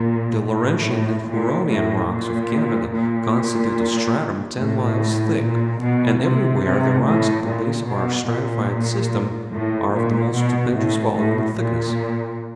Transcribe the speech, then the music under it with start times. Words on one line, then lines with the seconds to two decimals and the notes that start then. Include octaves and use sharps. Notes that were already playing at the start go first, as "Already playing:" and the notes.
The Laurentian and Huronian rocks of Canada constitute a stratum ten miles thick; and everywhere the rocks at the base of our stratified system are of the most stupendous volume and thickness.
Already playing: A#2
0.46 A2
1.29 A#2
1.69 A2
2.11 A#2
2.93 A#2
4.58 A2
5.41 A#2
5.81 B2
6.22 C3
6.63 C3
7.05 A2
7.46 A#2
7.87 B2
8.28 A#2
9.52 A2
9.93 A#2
10.34 B2
10.76 A2
11.16 A2
11.58 A#2